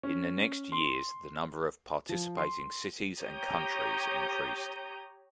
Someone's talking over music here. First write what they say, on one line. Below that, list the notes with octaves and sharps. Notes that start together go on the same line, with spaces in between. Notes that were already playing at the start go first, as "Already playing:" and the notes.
In the next years the number of participating cities and countries increased.
C#4
C6
F3
C6
G4 C#5 A#5 D#6 G6